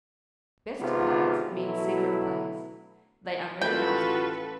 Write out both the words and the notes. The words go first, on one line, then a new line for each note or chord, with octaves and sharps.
Best plays mean secret plays; they are very nice ones.
G#1 C3 B3 F4
B2 F#3 A3 E4
A1 F4 F#4 A4 B4 G5